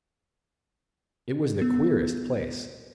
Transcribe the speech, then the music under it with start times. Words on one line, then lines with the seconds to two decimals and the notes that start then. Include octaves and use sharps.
It was the queerest place!
1.62 B3